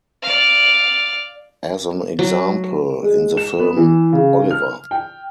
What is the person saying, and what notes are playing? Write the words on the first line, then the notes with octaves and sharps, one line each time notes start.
As an example, in the film Oliver!
D5 F5
F#3
G#3
E7
B3
E3
C#3
F6
G5